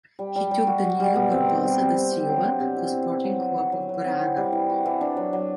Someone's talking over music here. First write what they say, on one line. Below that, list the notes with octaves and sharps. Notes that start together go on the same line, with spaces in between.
He took Danilo Barbosa da Silva to Sporting Club of Braga.
G3
G3
G3
F#4
G3
G3
B2
C4
G4
G3
C4
C4
G4
F#3
D4
C3
E4
E4
E4
F#3
F#3
F#3
F#3
F#3
C4
E4
G3
E3
F#4
E3
D4
F#3
F#3